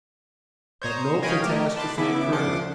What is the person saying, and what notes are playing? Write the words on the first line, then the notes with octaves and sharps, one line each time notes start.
But no catastrophe occurred.
C5 C#5 A#5 D#6
C#5 D#5 F5 G5 G#5 B5
A3 G4 A#4
A5 B5 C6 D6 F#6
C#3 B3 E4 E5 D6
C#3 F3 D4 F#5 C6 D6